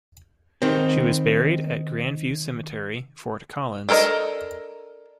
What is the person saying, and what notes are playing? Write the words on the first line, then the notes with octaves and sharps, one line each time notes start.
She was buried at Grandview Cemetery, Fort Collins.
D#3 C4
D4 A4 A#4 C#5 D#5